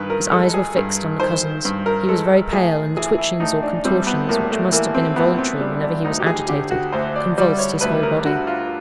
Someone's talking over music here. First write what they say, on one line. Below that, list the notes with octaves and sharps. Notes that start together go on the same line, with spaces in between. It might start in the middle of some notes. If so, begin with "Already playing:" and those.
His eyes were fixed on the cousins; he was very pale, and the twitchings or contortions, which must have been involuntary whenever he was agitated, convulsed his whole body.
Already playing: G2 D#3 B4
A#4
G#3 A4
G#4
G2
D#3 C5
G2
A#4
G#3 A4
A2 G#4
E3 G#4
E4
A2 D#4
D4
G3 C4
B3
A2 A#3
A3
E3 A#3
C4
A2 B3
C4
G3 D4
D4
D2 D#4
G4
G#4
D3 G4
F#4
D2 C5
D5
G3 D5
C#5
D2 B4
A#4
D3 F#4
F4